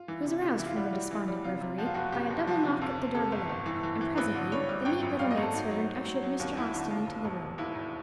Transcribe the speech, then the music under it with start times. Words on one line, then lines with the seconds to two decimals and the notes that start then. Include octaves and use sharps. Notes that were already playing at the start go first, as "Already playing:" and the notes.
She was aroused from her despondent reverie by a double knock at the door below, and presently the neat little maid-servant ushered Mr. Austin into the room.
Already playing: F4
0.08 E3
0.24 C3
0.42 C3 G4
0.58 E3 E4
0.66 F4
0.76 G3 F#4
0.93 G3
1.11 E3
1.28 G3
1.44 C3 F4
1.61 C3
1.78 F3 F#4
1.86 F4
1.94 F#1 F#4
2.12 C3 G4
2.30 F#1
2.47 F3
2.63 C3
2.82 F2
2.98 C3
3.15 C3 A4
3.32 G1
3.50 G1
3.66 E3
3.83 E3
4.01 E3
4.17 G#1 B4
4.35 D3
4.52 G3 C#5
4.69 G3
4.85 G#1 G5
5.03 F#2
5.19 G3 F5
5.31 D#5
5.37 G#1
5.43 A4
5.54 F#3 D#4
5.71 F#3
5.88 F#3
6.05 F#3
6.23 F#3
6.40 D#2
6.56 F#3 E4
6.74 D3
6.90 D#2 F4
7.07 E1
7.25 E1
7.42 D#2
7.58 D#2 E4
7.75 E1